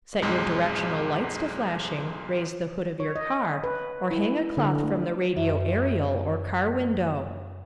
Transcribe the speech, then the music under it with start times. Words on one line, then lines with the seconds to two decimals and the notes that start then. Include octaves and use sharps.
Set your directional lights to flashing, raise the hood of your car, or hang a cloth from the radio aerial or car window.
0.22 B1 F2 G#2 G#3
3.00 C#5
3.16 D#5
3.64 B4
4.11 E4
4.57 D3
4.84 A3
5.36 F#2 F#4 E5